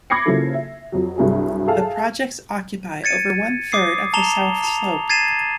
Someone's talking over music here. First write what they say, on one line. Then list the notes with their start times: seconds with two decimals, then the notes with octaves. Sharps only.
The projects occupy over one third of the South Slope.
0.10 B5 D6 G#6 A#6 C7 C#7
0.26 C#3 F3 F#3 A#3 E4 A4
0.54 E5
0.92 F2 F#3
1.18 C2 G2 F#3 G3 G#4
1.67 G#4 A4 E5 F5 A5
3.04 G#6 A6 C#7 D#7
3.72 D6 D#6 C7
4.14 A5 A#5 E7 F7 G7
4.64 A5 F7
5.10 G#6 A6 C7 D#7 E7